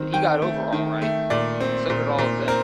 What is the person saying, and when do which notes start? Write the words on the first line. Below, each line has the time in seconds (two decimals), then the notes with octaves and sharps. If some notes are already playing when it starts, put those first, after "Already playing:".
But he got over all right; and so did all of them.
Already playing: D#3 C4
0.13 D#3 G5
0.42 A3
0.73 D#3
1.02 A3
1.30 A#2 D5
1.60 C4
1.90 A#2
2.18 A#2
2.48 C4 A#4